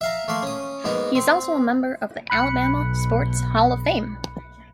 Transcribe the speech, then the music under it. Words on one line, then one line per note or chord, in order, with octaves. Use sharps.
He is also a member of the Alabama Sports Hall of Fame.
E5 F5 A#5
A3 A#3 F5 C6
C#4 D#6
G#2 A#3 B3 D#4
C4
B1 B5 F#6 C#7